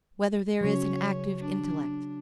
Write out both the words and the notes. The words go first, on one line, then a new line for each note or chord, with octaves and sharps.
Whether There Is an Active Intellect?
C#3 F#3 C#4 C#5
D4